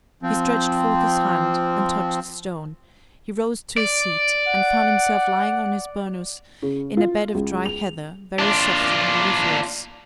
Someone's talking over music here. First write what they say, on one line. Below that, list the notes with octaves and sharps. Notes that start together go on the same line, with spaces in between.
He stretched forth his hand, and touched stone; he rose to his seat, and found himself lying on his bournous in a bed of dry heather, very soft and odoriferous.
F3 C4
D5
F#5
C#3
F4
C#2
F7
D4 F4